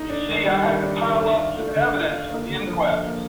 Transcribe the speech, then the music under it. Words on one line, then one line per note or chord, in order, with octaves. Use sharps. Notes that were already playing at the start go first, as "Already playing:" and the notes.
You see I had to pile up some evidence for the inquest.
Already playing: D#4
D4
D#3
G3
D#3
D4
D#3
D4
F4
A3
D3
D4
F4
A#3
D3
F3
D3
A#3